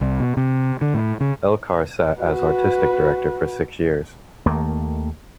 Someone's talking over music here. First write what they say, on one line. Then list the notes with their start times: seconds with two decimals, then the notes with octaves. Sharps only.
Elcar sat as artistic director for six years.
0.01 C2
0.20 B2
0.37 C3
0.81 D3
0.94 A2
1.21 C#3
2.20 F#4 B4
4.46 D#2 D#3 A3 A#3